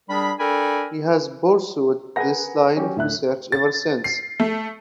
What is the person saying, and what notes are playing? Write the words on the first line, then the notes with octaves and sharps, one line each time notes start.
He has pursued this line of research ever since.
G3 D4 G#4 A#4 B5
D4 A4 A#4 G5 G#5 B5
G#4 A#4 B4 F#5 G#5 A#6
F#3 C#4 G4
D2 A2 E5 F#6
A6
C7
A3